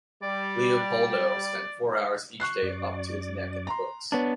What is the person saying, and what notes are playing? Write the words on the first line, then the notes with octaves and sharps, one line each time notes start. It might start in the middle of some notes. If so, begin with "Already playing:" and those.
Leopoldo spent four hours each day 'up to his neck in books'.
G3 D5
C#6 F#6 C7
F#2 D5
A#5 C6
B3 D4 C#5